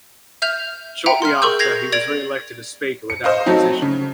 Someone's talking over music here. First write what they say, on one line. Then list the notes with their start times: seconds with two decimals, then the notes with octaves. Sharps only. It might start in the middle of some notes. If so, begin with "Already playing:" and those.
Shortly after, he was re-elected as speaker without opposition.
0.42 E5 F6 G6 F7
1.06 E5 F#5 G5 A#5
1.22 C6 F6
1.42 G#4 A#4 C#6 E6 G6
1.59 G6 G#6 A#6 C7 F7
1.92 D5 G#6 A6 D7 F7 F#7
3.10 C#7
3.24 C5 D#5 F5
3.46 F#3 A3 C4 D#4
3.82 C#3